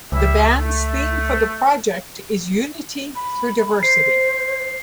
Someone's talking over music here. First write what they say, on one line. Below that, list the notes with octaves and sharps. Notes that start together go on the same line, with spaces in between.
The band's theme for the project is "Unity Through Diversity".
C#2 G3 E4 E5
A3
B5
C5 C7